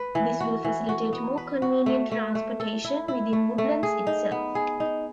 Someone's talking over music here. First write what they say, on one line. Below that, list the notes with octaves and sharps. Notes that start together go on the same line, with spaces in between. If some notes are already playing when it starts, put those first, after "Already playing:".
This will facilitate more convenient transportation within Woodlands itself.
Already playing: B4
E3
F#4
E3
F#4
B3
B4
F#4
A3
A3
A3
A4
E4
E4
A3
A3
G#4
D#4
B3
G#4
D#4